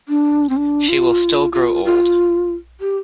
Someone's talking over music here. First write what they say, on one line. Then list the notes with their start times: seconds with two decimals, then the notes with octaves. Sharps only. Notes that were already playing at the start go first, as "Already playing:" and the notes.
She will still grow old.
0.09 D4
0.49 C4
0.57 D4
0.89 F4
1.53 F4
1.85 F4
2.81 G4